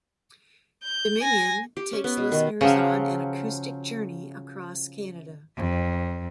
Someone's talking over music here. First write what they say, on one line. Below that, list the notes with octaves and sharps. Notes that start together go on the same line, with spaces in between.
"Dominion" takes listeners on an acoustic journey across Canada.
G6
G#5 A#6
G4
C#4
B3
B2
D#3
C#3 F3 F#3
F2